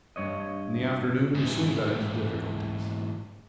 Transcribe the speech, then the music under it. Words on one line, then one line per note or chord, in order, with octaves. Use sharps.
In the afternoon we soon got into difficulties.
G2 C#5 D#5
G#2 E3